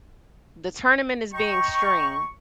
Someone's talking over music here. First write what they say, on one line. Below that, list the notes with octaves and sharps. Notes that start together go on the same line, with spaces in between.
the tournament is being streamed
D#5 G5 A#5 C#6